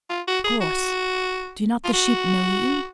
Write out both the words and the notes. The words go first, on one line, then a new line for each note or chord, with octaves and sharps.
"Of course; do not the sheep know you?"
F4
F#4
G#4
F#4
F4
F#4